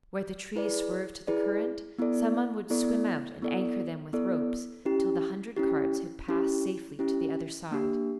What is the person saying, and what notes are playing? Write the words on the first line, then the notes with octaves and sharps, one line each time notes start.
Where the trees swerved to the current, some one would swim out and anchor them with ropes till the hundred carts had passed safely to the other side.
E4 G#4 B4 D5
E4 G#4 B4 D5
B3 E4 A4 D5
B3 E4 A4 D5
B3 E4 A4 D5
B3 E4 A4 D5
C#4 E4 G4
C#4 E4 G4
C#4 E4 G4
C#4 E4 G4
A#3 D4 G4